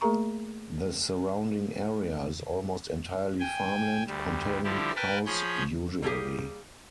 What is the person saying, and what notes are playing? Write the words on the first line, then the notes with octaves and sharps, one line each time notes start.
The surrounding area is almost entirely farmland, containing cows usually.
A3 A#3 G#4 A#4 A#5 C#6
G5 G#5
D2 G3
D3 F3 G3 E4 G4
A#4 B4 G5 A5 B5 F6
F3 G#4 C#5 B5 G6
G3 A#3 C#4 D#4 G4 G#4